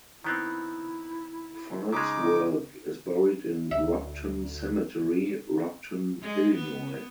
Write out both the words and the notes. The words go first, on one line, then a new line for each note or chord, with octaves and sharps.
Farnsworth is buried in Rockton Cemetery, Rockton, Illinois.
D#3 B3 C4 E4
C#3 G#3 D#4 D6
D2 E5
G#3
B3